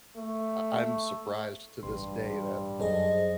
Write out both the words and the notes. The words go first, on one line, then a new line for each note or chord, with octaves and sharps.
I I'm surprised to this day that,
A3
A1 G2 C6
F#2 G#4 A4 C5 D#5